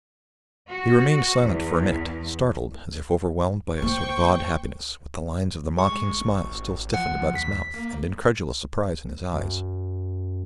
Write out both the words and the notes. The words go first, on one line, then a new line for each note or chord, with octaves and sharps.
He remained silent for a minute, startled, as if overwhelmed by a sort of awed happiness, with the lines of the mocking smile still stiffened about his mouth, and incredulous surprise in his eyes.
F#4
E2
A#3 C5 G5 C#6
G#3 C#6
G#1
F3 F#5
D#2 B6
A#3
F#2